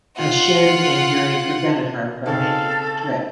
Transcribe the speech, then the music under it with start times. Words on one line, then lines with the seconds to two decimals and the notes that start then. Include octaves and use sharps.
A shin injury prevented her from making the trip.
0.17 F4 F#5
2.26 C#3 C4 D#4 A4 F5 A5